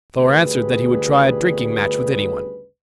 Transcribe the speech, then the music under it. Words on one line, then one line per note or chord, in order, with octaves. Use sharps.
Thor answered that he would try a drinking-match with any one.
G1 D2 C#3 G3 G#4 B4